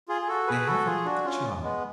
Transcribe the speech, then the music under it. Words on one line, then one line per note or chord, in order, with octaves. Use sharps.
They haven't the charm.
F4 G#4
G#4
F#4 A4
G#4 B4
F#4 A4
F4 G#4
D4 F#4
C#4 F4
G#3 B3